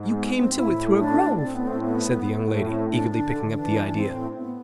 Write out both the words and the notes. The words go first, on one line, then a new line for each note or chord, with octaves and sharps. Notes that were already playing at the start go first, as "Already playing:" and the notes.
"You came to it through a grove," said the young lady, eagerly picking up the idea.
Already playing: G#2
B3
C4
A2 E4
D4
A2 C4
B3
C4
B3
A2
C4
D4
D3 D4
E3 D4
D4
A2 C4
B3